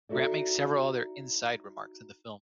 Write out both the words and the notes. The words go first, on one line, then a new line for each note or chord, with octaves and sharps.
Grant makes several other "inside" remarks in the film.
D#4 E4 F#4 A4 D5